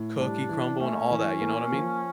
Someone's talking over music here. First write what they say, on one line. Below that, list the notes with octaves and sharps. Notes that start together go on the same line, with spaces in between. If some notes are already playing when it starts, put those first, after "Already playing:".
cookie crumble and all that, you know what I mean?
Already playing: A2
G3 D4
E3
A3 C#4
E3
A#3
F3